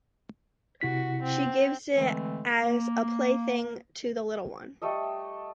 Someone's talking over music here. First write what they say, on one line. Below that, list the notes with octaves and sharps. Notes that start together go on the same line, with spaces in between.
She gives it as a plaything to the little one.
C3 E4 F#4 B6
C4
D3 E3 G#3 A3 C4
A#3
G3 A3 A4 D#5